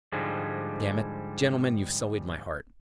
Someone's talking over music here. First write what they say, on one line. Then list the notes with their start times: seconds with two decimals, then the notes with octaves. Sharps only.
Damn it!... Gentlemen, you've sullied my heart!
0.12 G#2 D3 F3 G3 G#3